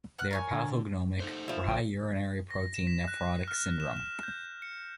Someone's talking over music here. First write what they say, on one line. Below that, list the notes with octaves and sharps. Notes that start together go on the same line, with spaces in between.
They are pathognomonic for high urinary protein nephrotic syndrome.
F#5 F6 F#6
A#4 C#5 G#5
D3
D#4 A4 C5
F3 E4
A#1 C#3 G5
A#6
E7
B6
F#6
F6
E7
E7
G6
C#7